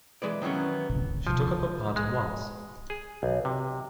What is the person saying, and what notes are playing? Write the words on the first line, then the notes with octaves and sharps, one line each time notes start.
She took up her part at once.
E3 G#3 B4 D5
D#3 E3 F#3 B3 C#4
F3
G#3
G#4
B1
C3